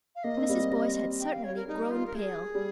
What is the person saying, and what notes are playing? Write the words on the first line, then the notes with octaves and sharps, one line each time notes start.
Mrs. Boyce had certainly grown pale.
F5
A#3 D#5
C4
G3 A#3
G3
G5
F5
C#5
A#4
G3 D#4
F4
A#4
G#4
G3